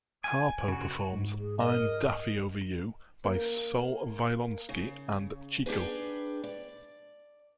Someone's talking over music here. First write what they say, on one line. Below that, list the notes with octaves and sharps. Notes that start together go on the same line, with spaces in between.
Harpo performs "I'm Daffy over You" by Sol Violinsky and Chico.
G#5
C#3 F#4
G#2
G#4
A#4 D#5
A#3
C#3
D4 G4 G#4 B4
D5